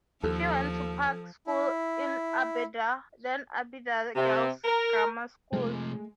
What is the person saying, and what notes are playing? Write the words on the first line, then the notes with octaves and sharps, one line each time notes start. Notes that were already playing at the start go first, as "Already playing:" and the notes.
She went to Park School in Aberdare, then Aberdare Girls' Grammar School.
D#2 F3 A4
E4
C3
A#4
C3 F3 G#3 A3